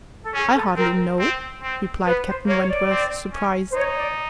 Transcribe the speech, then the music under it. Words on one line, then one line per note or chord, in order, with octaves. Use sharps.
"I hardly know," replied Captain Wentworth, surprised.
A4
C#4 G#4
A4
C4 A#4
C4
C4
B3 B4
C5
A#3 C#5
C#5
D5
C4
C#4
C5
D#4 C#5
D5